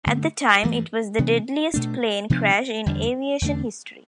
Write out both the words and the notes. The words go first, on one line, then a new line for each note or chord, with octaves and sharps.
At the time, it was the deadliest plane crash in aviation history.
G2 D3 A3
G2 E3 A3
C3 E3 B3 D4
B2 A3 D4
C3 F3 B3 D4
E2 D3 G3 D4
E2 D3 A3 D4